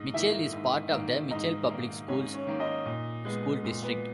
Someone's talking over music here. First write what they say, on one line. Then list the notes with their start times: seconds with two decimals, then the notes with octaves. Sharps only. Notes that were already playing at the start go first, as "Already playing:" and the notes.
Mitchell is part of the Mitchell Public Schools School District.
Already playing: G#2 D#4 D#5
0.14 D#3 A#3 E4 E5
0.53 G#2
0.91 D#3 A#3
1.31 G#2 D#4 D#5
1.70 D#3 A#3
2.08 G#2 C#4 C#5
2.34 C#4 C#5
2.47 D#3 A#3
2.60 D#4 D#5
2.86 A#2
3.25 G#3 B3
3.64 A#2
3.83 B3 B4